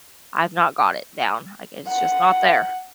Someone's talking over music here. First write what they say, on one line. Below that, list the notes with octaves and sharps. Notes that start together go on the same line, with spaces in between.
I've not got it down, like, it's just not there.
F#5